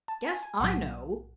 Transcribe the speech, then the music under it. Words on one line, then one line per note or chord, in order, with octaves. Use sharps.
"Guess I know!"
A5
G#5
G#5
B1 A2 F#3 F#5